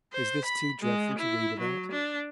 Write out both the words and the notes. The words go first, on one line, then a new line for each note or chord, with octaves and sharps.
Is this too dreadful to read about?
C5
B5
G#3
E4
F#3
D4